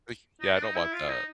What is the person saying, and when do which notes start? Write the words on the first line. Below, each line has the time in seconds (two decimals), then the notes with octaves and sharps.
Ugh, yeah, I don't want that.
0.41 D#4
0.53 D4
0.63 D#4
0.75 E4
0.92 F4
1.09 D#4